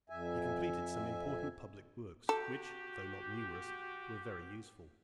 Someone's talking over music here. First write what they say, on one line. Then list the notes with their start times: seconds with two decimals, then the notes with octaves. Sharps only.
He completed some important public works, which, though not numerous, were very useful.
0.10 F2 E5 G#5
2.29 F#4 G4 A4